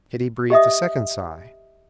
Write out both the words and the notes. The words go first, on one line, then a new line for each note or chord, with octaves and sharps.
Kitty breathed a second sigh.
G4 D#5 E5 D#6